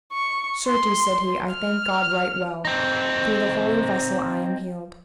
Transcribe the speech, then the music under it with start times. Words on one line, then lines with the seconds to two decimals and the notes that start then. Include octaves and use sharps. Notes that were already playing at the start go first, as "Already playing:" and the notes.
Certes, said he, I thank God right well, through the holy vessel I am healed.
0.13 C#6
0.67 C6
1.52 F6
2.65 C4 D#4